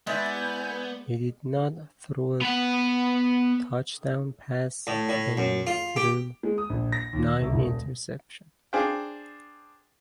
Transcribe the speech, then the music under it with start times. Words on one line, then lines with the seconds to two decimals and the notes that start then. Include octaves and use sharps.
He did not throw a touchdown pass and threw nine interceptions.
0.07 G#3 B3 E4 D5 E5 G#5 G6 G#6
2.41 B3 F#5
4.87 A2
5.09 A2
5.37 F#2
5.67 F4
5.96 G4
6.43 G#3
6.58 D#6
6.70 A#1
6.92 A#6
7.13 D#2
7.27 E6
7.41 C2
7.53 E1
8.73 D4 G#4 C5 F5 G5